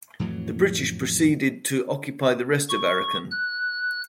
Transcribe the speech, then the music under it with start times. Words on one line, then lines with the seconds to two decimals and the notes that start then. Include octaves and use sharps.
The British proceeded to occupy the rest of Arakan.
0.19 F2 A2 E3 F#3
2.69 C#6
3.30 F#6